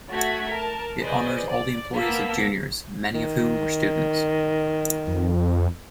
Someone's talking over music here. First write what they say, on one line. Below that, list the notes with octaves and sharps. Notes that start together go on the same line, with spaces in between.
"It honors all the employees of Junior's, many of whom were students."
A3 F#4 F#5 G#6 B6
A#4 A5
G#4 B4 C5 D5 D#5 G#5
D5
A#3 B3 A5 E6 B6
D#3
F2